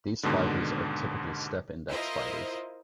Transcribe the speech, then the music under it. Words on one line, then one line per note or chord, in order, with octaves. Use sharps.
These fibers are typically step-index fibers.
D#2 G#2 B2 D3
E4 F4 A#4 C5 D#5